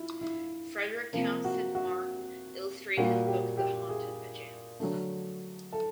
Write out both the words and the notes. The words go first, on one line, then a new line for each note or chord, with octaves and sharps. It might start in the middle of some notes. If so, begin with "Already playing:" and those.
Frederick Townsend Martin illustrated his book "The Haunted Pajamas".
Already playing: E4 F4
E4
C3 F3 A#3
F#4
F#4
A#2 G3 A#3 F#4
G4
G4
G#4
D3 F#3 A3
A4